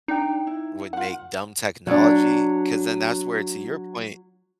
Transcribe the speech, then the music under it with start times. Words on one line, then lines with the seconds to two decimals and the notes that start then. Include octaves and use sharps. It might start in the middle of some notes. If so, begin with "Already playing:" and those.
would make dumb technology. 'Cause then that's where to your point
0.08 D4 D#4 G5
0.47 E4
0.93 F4 F#5
1.87 F#3 D4